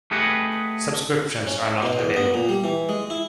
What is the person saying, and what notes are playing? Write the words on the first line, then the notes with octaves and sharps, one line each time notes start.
Subscriptions are not available.
A3 G4 G#4 B4 D#5 F#5
C#4
B2
E2
B3
A#2
G3
E3
G#3
E4